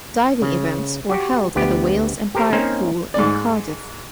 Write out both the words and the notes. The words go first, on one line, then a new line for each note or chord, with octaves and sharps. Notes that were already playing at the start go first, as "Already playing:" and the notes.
Diving events were held at the Wales Empire Pool in Cardiff.
C#3
F#4 G4
D2 B3 G4
G4 A4 A#4 C5
A#3 C4 C#4 D#4 C5 F5
G#2 D5